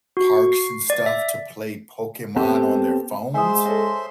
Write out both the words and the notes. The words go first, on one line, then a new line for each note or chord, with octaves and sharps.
parks and stuff to play Pokemon on their phones.
F#4
C#6
C7
D5
E5
B3 C4 G4 A4
G#3 C5 E5 G#5 C6 D#6
A4 C#5 D#5